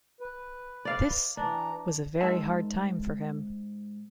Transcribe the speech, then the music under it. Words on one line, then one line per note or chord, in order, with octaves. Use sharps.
This was a very hard time for him.
B4
D5 F5
E3 D4 A#5
G#2 G#3 D#4 A#4 E5 A5